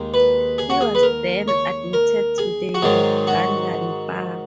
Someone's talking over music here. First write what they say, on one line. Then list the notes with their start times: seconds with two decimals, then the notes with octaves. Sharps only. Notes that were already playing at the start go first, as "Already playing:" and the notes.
He was then admitted to the Ugandan Bar.
Already playing: D#2 D#3 G#3
0.14 B4
0.58 G#4
0.70 F#4
0.81 G#4
0.95 B4
1.03 A#4
1.48 C#5
1.93 A#4
2.38 G#4
2.74 F#4
2.82 G#2 D#3 F#3 G#4
3.27 F#4